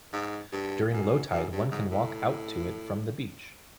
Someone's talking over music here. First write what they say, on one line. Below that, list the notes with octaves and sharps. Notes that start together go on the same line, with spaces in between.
During low tide, one can walk out to it from the beach.
G#2
G2
F#2
F#2
G2
G#2
A2